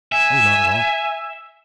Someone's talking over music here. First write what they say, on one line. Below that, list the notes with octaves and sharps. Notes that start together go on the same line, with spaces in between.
'O--not at all.
E5 G#5